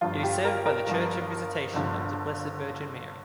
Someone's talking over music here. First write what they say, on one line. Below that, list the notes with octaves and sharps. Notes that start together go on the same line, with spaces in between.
It is served by the Church of Visitation of the Blessed Virgin Mary.
G1 G2 F3 F4
G4
A#4
A#4
G1 G2 F3
G1 G2 D3 F3